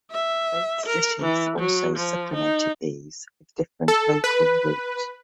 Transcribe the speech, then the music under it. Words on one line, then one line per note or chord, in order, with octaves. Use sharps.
Both cities also supplemented these with different local routes.
E5
A#4
E3
F#3
F3
D#4
A4
B4